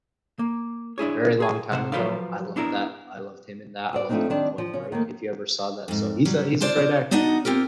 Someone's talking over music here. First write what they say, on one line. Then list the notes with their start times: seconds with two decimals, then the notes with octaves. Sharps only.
a very long time ago. I love that. I loved him in that. I loved him in Point Break, if you ever saw that, so he's a he's a great actor, man,
0.39 A#3
0.98 D4 E4 G#4 C#5
1.40 G#4 G#5
1.72 C3 C5 F#5
1.92 F3 F#3 B4 C5 D5 F5
2.56 B3 D4 E4 A4 A#4
3.93 F#4 C5 D5
4.09 F3 A3 A#3 C4 D4 D#4
4.30 D#3 G3 C4 D4 A5
4.58 F3
4.73 C#3 C#4
4.92 D#3 A3 A#3
5.88 F2 G#2
6.25 F#3 G3
6.60 D4 F4 C5 D5
7.11 B3 D4 D#4 F#4 D#5 F#5
7.45 C4 F4 G4 A#4